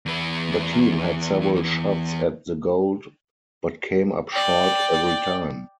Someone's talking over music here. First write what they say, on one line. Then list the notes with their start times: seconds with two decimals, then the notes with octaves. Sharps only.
The team had several shots at the gold but came up short every time.
0.06 E2 B4
4.33 D5 G5